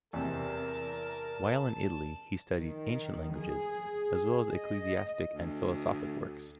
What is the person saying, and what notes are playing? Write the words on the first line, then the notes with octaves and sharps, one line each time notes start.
While in Italy, he studied ancient languages, as well as ecclesiastic and philosophic works.
E2 C3 A#4 A5
D#3
G#4
D#5
D2